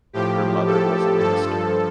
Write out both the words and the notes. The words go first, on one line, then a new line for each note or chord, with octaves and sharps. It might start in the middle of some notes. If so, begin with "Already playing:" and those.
Her mother was a minister.
A2 F3 G4
A4
G2 F3 A4